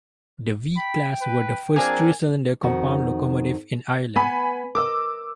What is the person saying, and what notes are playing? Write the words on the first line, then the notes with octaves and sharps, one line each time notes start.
The V class were the first three-cylinder compound locomotives in Ireland.
G5 B5
B4
F3 A#3 C4 D4 G#4 D5 G#5
F2 D#3 F#4
B3 G#5 B5
A#4 D#5 D6 E6